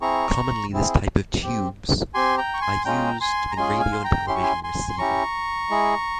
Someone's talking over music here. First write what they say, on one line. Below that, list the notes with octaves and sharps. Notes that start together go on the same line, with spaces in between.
Commonly this type of tubes are used in radio and television receiver.
C4 E4 G#4 A#5 C#6
C4 E4 G#4
C4 G4
C4 G4 G#5 C6
G5 A#5
C#6
G#5 C6
G#3 C#4 F4 G#4 G5 A#5
G#5 C6
A#5
G#3 C#4 F4 G#4 G#5 C6
F5 G#5
C6
G5 A#5
C#4 E4 G4 C6
C#6
G#5 C6
G#5 C6
C6
C#4 E4 G4 A#5 C#6
G#3 E4 G#4